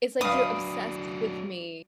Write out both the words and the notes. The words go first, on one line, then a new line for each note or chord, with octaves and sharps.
It's like you're obsessed with me."
F#3 D4 B4 F5 D#6